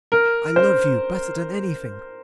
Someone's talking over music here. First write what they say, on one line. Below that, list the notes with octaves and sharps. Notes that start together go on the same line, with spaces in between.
I love you better than anything.
A#4
C5